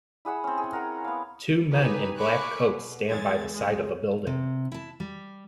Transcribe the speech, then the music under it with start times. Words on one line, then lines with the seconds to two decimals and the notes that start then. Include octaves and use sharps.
Two men in black coats stand by the side of a building.
0.25 E4 G#4 F#5 E6
0.44 C4 C#4
0.58 G#4
0.73 A#4 F#5 A#5
1.04 B3 F5
1.72 D#4 G4 B4 G#5
2.17 A#4 G#5 B5 C#6 D6 F#6
2.62 B2
3.07 E2 G#3 G#6 A6
3.52 C#2 G#3
4.27 C3
4.72 E4 A5
5.00 G3